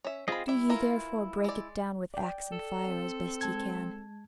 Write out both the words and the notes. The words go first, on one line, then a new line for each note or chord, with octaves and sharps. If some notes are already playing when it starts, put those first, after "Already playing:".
Do ye therefore break it down with axe and fire as best ye can.
C#4 E5
C4 F4 G#4 D#5 B5
G3 E4 E5
E3 F4 A#4
G#3 D5
D5 G5
A4
C4
G#3 A5 G#6